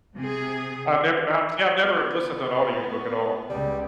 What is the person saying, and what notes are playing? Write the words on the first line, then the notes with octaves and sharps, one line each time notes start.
I've never I've see, I've never listened to an audiobook at all.
C3 G#4
B3
C#2 G3